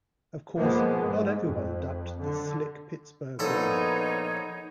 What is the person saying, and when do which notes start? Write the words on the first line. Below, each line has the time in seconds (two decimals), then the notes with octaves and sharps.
Of course, not everyone ducked the slick Pittsburgh warrior.
0.56 F3 G#3 A#3 B3
0.98 G#2
1.44 F2
2.22 D3
3.39 A#1 B3 D#4 A4 C#5 A#5